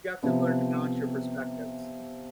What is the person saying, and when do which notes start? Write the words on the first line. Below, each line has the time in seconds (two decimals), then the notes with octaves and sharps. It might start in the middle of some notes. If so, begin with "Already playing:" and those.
You have to learn to balance your perspectives.
0.23 C3 F3 B3